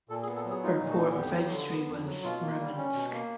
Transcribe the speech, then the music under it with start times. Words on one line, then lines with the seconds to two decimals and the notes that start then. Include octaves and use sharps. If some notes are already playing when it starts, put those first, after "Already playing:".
Her port of registry was Murmansk.
0.09 A#2 A4
0.23 G#4
0.27 B3
0.36 A4
0.45 F#3
0.50 G#4
0.63 D#4 F4
0.80 A#2
0.90 F#4
0.98 B3
1.17 F2 G4
1.34 F#3
1.52 D3
1.69 B3
1.88 F2
2.05 F#3
2.23 B2 F4
2.42 A#3
2.60 G3
2.77 C#4
2.94 B2
3.13 A#3